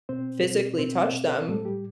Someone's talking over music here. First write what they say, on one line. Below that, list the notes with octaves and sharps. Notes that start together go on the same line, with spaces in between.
physically touch them
B2 C4 C5
B2
B2 C4 C5
B2
A2 A3 A4
G3 G4